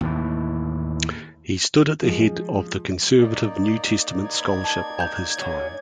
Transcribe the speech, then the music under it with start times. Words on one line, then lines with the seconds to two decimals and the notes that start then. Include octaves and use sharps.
He stood at the head of the conservative New Testament scholarship of his time.
0.01 D#2 A2 E3
2.02 F3 G#3
3.18 A#3 D#4 D5
4.31 C4 B4 G#6
4.64 A5
5.00 G6
5.37 F#3 G3 C#4